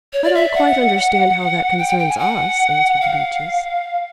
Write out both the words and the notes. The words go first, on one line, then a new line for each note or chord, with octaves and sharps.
"I don't quite understand how that concerns us," answered the Beeches.
C#5
D5
E5
F#5
G5
G5
G5
G#5
F#5
F5